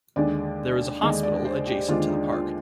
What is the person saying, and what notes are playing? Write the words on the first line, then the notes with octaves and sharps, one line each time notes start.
There is a hotel adjacent to the park.
D#2 D3 G#3 D4 D5
D#2 D3 G#3 D4 D#5
D5
C5
G4
D#2 D3 G#3 D4 F4
D#4
F4